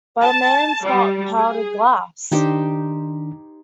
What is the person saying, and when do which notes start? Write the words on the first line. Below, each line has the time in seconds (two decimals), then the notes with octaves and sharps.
But a man's not powdered glass!
0.23 A5
0.83 G3
1.36 G#4
2.32 D#3 D4 D#4 G4 C5